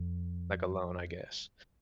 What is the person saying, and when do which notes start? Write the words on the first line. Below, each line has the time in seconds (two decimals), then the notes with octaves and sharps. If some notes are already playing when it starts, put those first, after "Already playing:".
like, alone I guess,
Already playing: F2